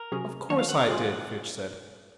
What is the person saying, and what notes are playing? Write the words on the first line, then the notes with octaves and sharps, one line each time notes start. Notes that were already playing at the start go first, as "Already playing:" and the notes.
"Of course, I did," Fitch said.
Already playing: A#4
C3 F#3 C#4 G#4
D#3 F#3 A#3 C#5
F5
F#5
F5
G#2 F#3 C4 F4 G#4 F#5